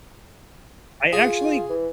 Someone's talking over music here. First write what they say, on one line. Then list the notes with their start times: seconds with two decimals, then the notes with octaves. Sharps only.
I actually
1.13 F4 G#4
1.69 E3